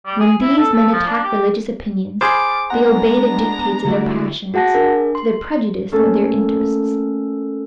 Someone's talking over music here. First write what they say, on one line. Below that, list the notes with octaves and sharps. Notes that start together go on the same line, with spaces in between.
When these men attack religious opinions, they obey the dictates of their passions to the prejudice of their interests.
G3
G#4
E4
A4
A4
F3
D4
G4
G#4 C5 B5 D6 F6 A6
G#3 B3 D4 F#5 A#5
D3 G3 A3 E4 F#4 D5
F#4 G#4 F#5 A5 A#6
D4 G#4 A#4
C6
A3 A#3 C#4 A4